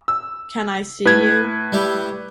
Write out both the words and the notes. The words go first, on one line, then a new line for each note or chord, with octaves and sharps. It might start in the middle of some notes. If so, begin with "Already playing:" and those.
Can I see you?
E6
A2 B4 G#6
G3 E4 G4